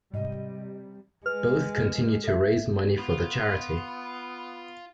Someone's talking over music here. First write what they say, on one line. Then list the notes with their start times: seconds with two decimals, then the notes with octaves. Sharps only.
Both continue to raise money for the charity.
0.13 G#2 C3 G3 D#5
1.26 G#3 B4 F6
2.24 A4 E5
2.98 B3 F4